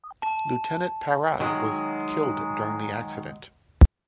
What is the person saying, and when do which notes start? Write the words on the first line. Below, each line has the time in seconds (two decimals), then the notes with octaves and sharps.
Lieutenant Parrott was killed during the accident.
0.22 A5
1.40 D#3 F#3 G#3